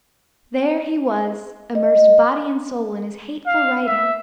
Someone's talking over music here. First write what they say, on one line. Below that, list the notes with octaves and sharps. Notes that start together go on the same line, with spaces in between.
There he was, immersed body and soul in his hateful writing!
D#5
F5
E5